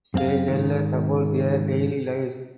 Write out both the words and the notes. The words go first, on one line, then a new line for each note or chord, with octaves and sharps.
They tell us about their daily lives.
F#2 C4 A4 F5
G#2 D#3